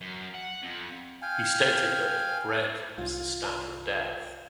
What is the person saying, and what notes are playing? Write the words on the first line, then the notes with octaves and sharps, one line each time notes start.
He stated that "bread is the staff of death".
F#2
F#5
F2
F5 G5 G#5
C2 F4